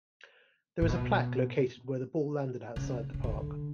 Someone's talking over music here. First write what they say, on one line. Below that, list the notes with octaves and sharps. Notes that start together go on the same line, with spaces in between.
There is a plaque located where the ball landed outside the park.
A#2
B2
C#3
C#3
D3